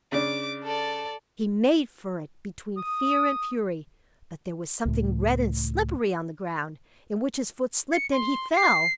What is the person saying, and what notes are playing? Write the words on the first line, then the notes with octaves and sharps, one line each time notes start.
He made for it between fear and fury, but there was something red and slippery on the ground, in which his foot slipped, and he fell.
C#3 D4 D6
A4 D5
D#6
C#2 A2
C#7
C6
C7